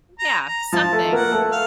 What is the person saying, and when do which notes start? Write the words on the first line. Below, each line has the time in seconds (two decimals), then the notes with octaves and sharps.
Yeah, something,
0.19 A#5
0.46 A#5
0.72 F3 F4 A5
0.93 A3 A4
1.12 A#3 A#4 F#5
1.32 A3 A4
1.52 F5